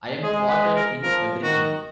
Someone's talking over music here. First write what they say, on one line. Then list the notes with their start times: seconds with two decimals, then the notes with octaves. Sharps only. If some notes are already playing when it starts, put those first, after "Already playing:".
I am thwarted in everything.
0.23 G#3 G#4
0.49 B4
0.76 A#4
1.03 F3 A#4
1.43 D#3 F#4